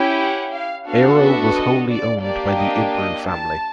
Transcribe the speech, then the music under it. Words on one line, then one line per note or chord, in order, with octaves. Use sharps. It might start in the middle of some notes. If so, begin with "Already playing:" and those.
Aero was wholly owned by the Ibru family.
Already playing: C#4 E4 G4
F#5
F5
B3 D4 F#4 A4 F5
E5
D#5
D5
A#3 D4 G4 D5
D#5
D#5
A5